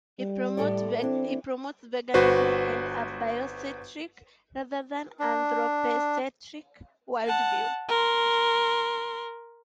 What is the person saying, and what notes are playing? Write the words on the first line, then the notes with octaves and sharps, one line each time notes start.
He promotes veganism, and a biocentric, rather than anthropocentric, worldview.
G3
A2 A4 D5
E3 C4 D4
G1 F#4 B4 C5
D4
F#5 A5
A#4 C6